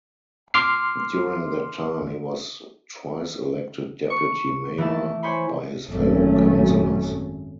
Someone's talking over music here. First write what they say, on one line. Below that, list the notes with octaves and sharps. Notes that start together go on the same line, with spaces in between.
During that time he was twice elected Deputy Mayor by his fellow Councillors.
C6 D6 F6 C7
C#6
E3 A3 E4 A5
C5 C#5 G#5 B5 C6
G#1 F#2 A#2 F#3 A3 C#4